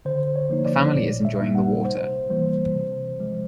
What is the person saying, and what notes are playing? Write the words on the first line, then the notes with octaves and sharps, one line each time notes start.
A family is enjoying the water.
D3 C5
C#5
F3 A#3 D#4
D5
A#2
E5
G3 A#3 D#4
F#5
C3 C5
E3 G3 A#3 C5
C3
F3 G#3